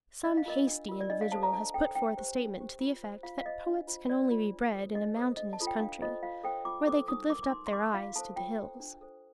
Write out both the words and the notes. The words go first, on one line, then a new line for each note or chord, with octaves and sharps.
Some hasty individual has put forth a statement to the effect that poets can only be bred in a mountainous country, where they could lift up their eyes to the hills.
D4 D#5
F5
F4 A#4 D#5
D4
F4 A#4
D5
D4 D#5
F5
A4 C5 A5
A#5
D4 A5
A4 C5 G5
D4 G5
G4 C5
D4
G4 C5
F4
C5
F4 F5
F5
C5 D#5
D4
F4 C5
D4 D5
F4 C5
D4
A4 C5
D4 D#5
A4 C5
D4 D#5
A5
F4 A4 C5
G5
D4 F5
F4 A4 C5 D#5
F4 F5
A4 C5 G5
F4 D6
A4 C5 D6
D#4 D#6
A#4 D6
D6
D#4 C6
C6
A#4 D6
F4 F5
A4 C5 A5
F4 G5
A4 C5
D4
A4 C5